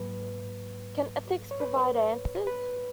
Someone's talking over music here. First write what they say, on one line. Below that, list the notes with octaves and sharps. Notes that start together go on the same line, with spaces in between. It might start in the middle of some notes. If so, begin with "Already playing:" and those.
Can Ethics Provide Answers?
Already playing: G#2 F#3 A#3 B4
C#5
B4
B4